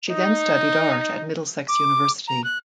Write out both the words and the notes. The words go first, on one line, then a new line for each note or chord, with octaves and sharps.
She then studied art at Middlesex University.
D#4
D6
A#5
F#6